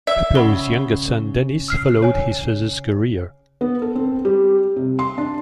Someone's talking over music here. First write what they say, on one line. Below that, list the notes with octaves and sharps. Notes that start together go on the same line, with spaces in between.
Peploe's younger son Denis followed his father's career.
D5 E5 E6
C#3 F#5 B5 G7
E6 F6 C7
C#5 G#5
B3
A4
C4
G3
C3
C6
D4